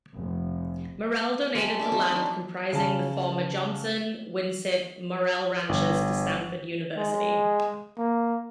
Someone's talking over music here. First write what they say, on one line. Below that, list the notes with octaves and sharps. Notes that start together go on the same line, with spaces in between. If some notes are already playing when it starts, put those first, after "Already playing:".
Morell donated the land comprising the former Johnson, Winship, Morell ranches to Stanford University.
F1
G#3 A3 G4
D4 E5 A5 D6
C4 D#4 F#4
D4 D#4
C#3 A5
G1
G#3
A#3